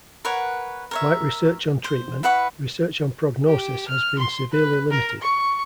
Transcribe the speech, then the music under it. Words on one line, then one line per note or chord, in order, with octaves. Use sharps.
Like research on treatment, research on prognosis has been severely limited.
A#4 B4 C#5 F#5
A#4 C#5 E5
C5
E4 B4 F#5 C#6
G4
F6
C6
B4
A#4
C#6